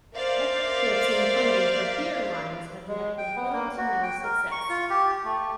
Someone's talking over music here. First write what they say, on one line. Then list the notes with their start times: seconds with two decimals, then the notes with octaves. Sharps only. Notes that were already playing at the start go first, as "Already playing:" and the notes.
Efforts to obtain funding for feeder lines have met with little to no success.
0.17 A#4 C5 D5 E5 F5
2.87 G#3
3.18 G5
3.36 B3
3.53 A#3
3.77 F#4
4.03 G5
4.24 A#4
4.51 C#6
4.70 F4
4.90 G4
5.24 A3